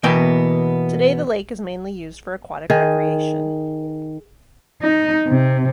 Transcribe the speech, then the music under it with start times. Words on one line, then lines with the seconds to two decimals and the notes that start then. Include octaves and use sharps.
Today the lake is mainly used for aquatic recreation.
0.03 B2 E3 A#3 B3 G5
2.70 D#3 G#4
4.82 D#4
5.28 C3